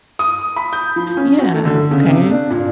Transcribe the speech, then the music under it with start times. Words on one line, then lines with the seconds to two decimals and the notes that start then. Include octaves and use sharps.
Yeah, okay,
0.19 D#6
0.56 B5
0.73 G6
0.96 F3
1.17 C#4
1.39 F#4
1.53 A3
1.65 D3
1.91 C#3
2.10 C3
2.30 D4
2.50 A#2